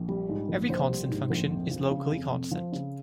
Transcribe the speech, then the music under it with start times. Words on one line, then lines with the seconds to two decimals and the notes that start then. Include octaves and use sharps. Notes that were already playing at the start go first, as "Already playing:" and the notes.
Every constant function is locally constant.
Already playing: A#1
0.09 G3
0.29 G#2
0.49 A#1
0.69 A#1 C5
0.90 G3
1.10 G#2
1.30 A#1
1.51 F2
1.71 F3
1.91 C#3
2.12 F2
2.32 F2
2.51 F3
2.72 C#3